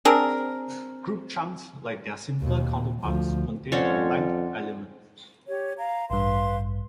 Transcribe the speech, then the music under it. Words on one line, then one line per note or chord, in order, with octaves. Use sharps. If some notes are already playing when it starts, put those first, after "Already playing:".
Group chunks, like their simpler counterparts, contain a length element.
C4 D4 G#4 A#4
D#2 B2
A#2
D2 F3
F2 C4 C#4 F4 C#5 D5 F#5
G4 C#5
F5 A#5
A1 G2 B4 F5 C6